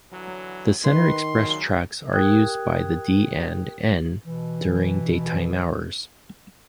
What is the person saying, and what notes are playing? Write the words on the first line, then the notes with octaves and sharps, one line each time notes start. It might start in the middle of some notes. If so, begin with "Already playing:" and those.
The center express tracks are used by the D and N during daytime hours.
D3 E3 F#3
D#3 B4 C6
A#2 C#3 F#3
G4 A#4 G5 D#6 F#6 G#6
B2 E3